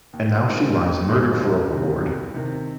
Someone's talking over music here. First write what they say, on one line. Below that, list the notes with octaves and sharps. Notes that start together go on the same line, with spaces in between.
And now she lies murdered for a reward!
D#2
D#3 G#3 C4 F4
D#2
D#3 G#3 C4 F4
C2
C3 D#3
C2
C3 D#3